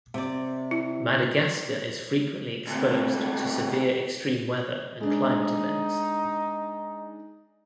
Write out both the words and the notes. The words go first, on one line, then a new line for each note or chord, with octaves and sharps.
Madagascar is frequently exposed to severe extreme weather and climate events.
C3 D5
E4
D2 C3
G#3 D4 D#4